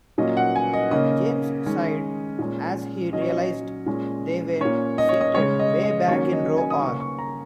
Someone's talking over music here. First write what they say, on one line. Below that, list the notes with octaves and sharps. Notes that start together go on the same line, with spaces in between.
James sighed as he realized they were seated way back in row R.
A#2 F#3 A#3 C#4 D#5
F#5
G#5
D#5
C#3 A#3 C#4 D#5
D#3 G#3 C#4
A#2 G#3 C#4
A#2 F#3 C#4 D#5
C#5
D#5
A#2 G#3 C#4
A#2 A#3 C#4 C#5
D#5
C#5
D#5
C#3 G#3 C#4 C#5
D#5
D#5
D#3 F#3 A#3 C#4 C#5
D#5
G#5
D#6
C#3 A#3 C#4 C#6
C#6
A#5